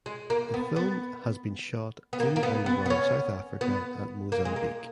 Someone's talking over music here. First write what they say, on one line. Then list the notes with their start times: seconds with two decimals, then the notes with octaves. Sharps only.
The film has been shot in and around South Africa and Mozambique.
0.06 G#3
0.30 A#3
0.54 B3
0.76 B3
2.13 B3
2.20 A#3
2.36 A#3
2.43 B3
2.66 B3
2.86 B3
2.90 C#4
3.61 B3
4.32 A#3
4.45 G#3
4.56 A#3